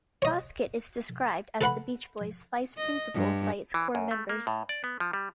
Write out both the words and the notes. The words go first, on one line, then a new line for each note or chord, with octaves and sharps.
Foskett is described as The Beach Boys' "vice principal" by its core members.
C#5 D#5
A4 B4 F#5 B5
D#5
G2
E3
F#2
A3
A#3
A2
D5
B3
F3
G3